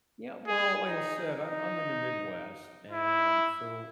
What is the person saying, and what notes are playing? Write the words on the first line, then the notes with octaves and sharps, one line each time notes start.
Yeah, well, like I said, I'm I'm in the Midwest, and so
G#4
D#4
D#4
E4